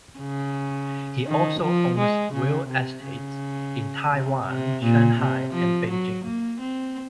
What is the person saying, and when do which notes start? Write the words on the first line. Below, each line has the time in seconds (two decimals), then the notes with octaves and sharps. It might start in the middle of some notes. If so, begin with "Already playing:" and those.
He also owns real estates in Taiwan, Shanghai, and Beijing.
0.19 C#3
1.26 D#3
1.61 F3
1.97 G#3
2.33 C#3
2.68 C3
3.04 C#3
4.11 C3
4.46 C3
4.83 A#2
5.18 C3
5.54 F3
5.90 F#3
6.24 A#3
6.60 C4